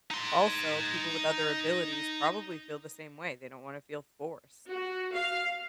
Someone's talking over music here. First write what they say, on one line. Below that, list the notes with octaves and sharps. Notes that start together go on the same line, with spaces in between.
also, people with other abilities probably feel the same way, they don't wanna feel forced.
D#4 C6
F#4
F5